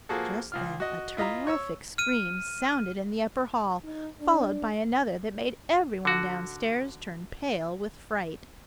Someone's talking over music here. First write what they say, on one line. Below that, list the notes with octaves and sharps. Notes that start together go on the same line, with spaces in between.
Just then a terrific scream sounded in the upper hall, followed by another that made every one down-stairs turn pale with fright.
F3 A#3 F#4 G#4 A4
C#2 F4 F6
F#4 D#5
E4 F4 D#5 E5 A#5
C#5 C#6 E6
F6 D#7
D#4
D4
D3 F#4